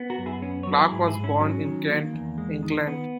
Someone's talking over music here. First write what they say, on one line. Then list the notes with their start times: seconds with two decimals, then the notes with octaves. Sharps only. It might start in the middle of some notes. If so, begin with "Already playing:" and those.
Clarke was born in Kent, England.
Already playing: B3
0.10 F#4 A#4
0.18 F#2
0.26 E4 G#4
0.42 B3 C#4
0.63 F#3 C#5
0.73 B4
0.82 A#4
0.91 G#2 E4 G#4
1.08 E4 G#4
1.16 G#2
1.24 C#4 E4
1.40 F#3 C#4
1.65 D#3
1.89 A#3
2.13 E2
2.38 G#3
2.63 D#3
2.87 B3